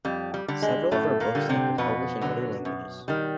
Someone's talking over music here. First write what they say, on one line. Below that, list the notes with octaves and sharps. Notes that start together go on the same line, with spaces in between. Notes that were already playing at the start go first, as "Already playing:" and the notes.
Several of her books have been published in other languages.
F2 G3
G3
D3 G3
G#3
F#2 A2 A3
A#2 A#3
D3 G3
C3 C4
F2 B2 B3
D3 F#3
F#2
D#3 G3